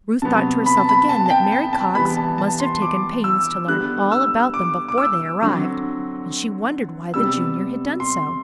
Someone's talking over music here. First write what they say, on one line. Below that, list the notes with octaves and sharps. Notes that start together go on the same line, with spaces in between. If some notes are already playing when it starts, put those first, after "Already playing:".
Ruth thought to herself again that Mary Cox must have taken pains to learn all about them before they arrived, and she wondered why the Junior had done so.
C3 F#3 B3 A5
B5
A5
B5
A5
A5
G5
A5
A5
E3 G3 B3 B5
A5
A5
C6
D6
E6
D3 G3 B3 F#6
E6
D6
D6
E6
D3 F#3 C4
C3 G3 B3 E6
C6